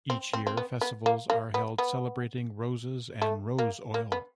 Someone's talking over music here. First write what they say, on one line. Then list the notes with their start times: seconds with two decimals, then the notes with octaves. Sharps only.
Each year, festivals are held celebrating roses and rose oil.
0.10 C4
0.33 C4
0.47 C4
0.57 B3
0.81 B3
1.06 A#3
1.30 A#3
1.54 B3
1.78 B3
3.22 A3
3.59 A#3
3.94 A#3
4.12 B3